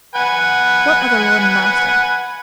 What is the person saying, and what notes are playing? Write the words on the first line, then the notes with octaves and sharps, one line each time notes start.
What other lord and master?
B4 F#5 G#5